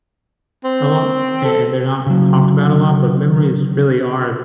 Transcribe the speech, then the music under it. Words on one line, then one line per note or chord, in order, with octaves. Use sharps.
a lot, and, they're not talked about a lot, but memories really are th
C4
A4
C#3 F#3